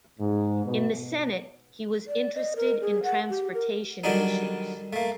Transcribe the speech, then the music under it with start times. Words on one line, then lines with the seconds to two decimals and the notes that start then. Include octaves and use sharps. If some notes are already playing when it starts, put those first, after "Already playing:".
In the Senate, he was interested in transportation issues.
0.18 G#2
0.66 B2
2.07 D5
2.35 D#5
2.56 A#4
2.81 G#4
3.03 F#5
3.30 G4
3.54 A#4
4.04 D3 D#3 F#3 G3 D4 D#4
4.93 A3 A#3